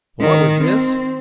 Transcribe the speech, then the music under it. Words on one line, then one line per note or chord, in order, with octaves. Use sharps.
But what was this?
D#3
C4